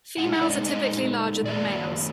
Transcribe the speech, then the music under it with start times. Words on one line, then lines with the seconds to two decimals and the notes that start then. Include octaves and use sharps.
Females are typically larger than males.
0.18 A#2 G#3 D#4 F#5
0.33 F#5
0.41 D5
0.50 D#5
0.66 D#5
1.45 F#2 D#3 A#3 D4 D5